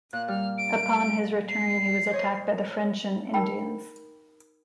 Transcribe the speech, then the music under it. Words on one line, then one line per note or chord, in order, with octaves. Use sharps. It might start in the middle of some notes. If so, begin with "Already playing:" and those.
Upon his return he was attacked by the French and Indians.
A#2 F#6
G3 F6
D7
C7
C5 C#5 D#5
D#4 A#4 G5 B5